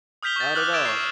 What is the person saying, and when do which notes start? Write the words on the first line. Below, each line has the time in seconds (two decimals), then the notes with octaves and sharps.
Not at all.
0.23 D#6 F6 G6 B6 F7 G7
0.36 C#6 G6 A6
0.55 D6 D#6 F6 F#6 F#7
0.72 E6 G#6 A6 D7 E7
0.85 C#6 C7